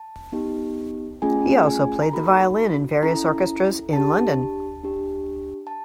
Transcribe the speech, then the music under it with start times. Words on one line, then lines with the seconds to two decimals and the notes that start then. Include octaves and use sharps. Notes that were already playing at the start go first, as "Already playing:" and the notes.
He also played the violin in various orchestras in London.
Already playing: A5
0.32 B3 D#4 G4
1.22 A3 C#4 F4 G#4 G#5
1.67 G#5
2.02 A#5
2.13 A#3 D#4 F#4 A4 B5
3.02 C#4 E4 A4 A#5
3.93 D4 G4 A5
4.83 D4 G4
5.67 A5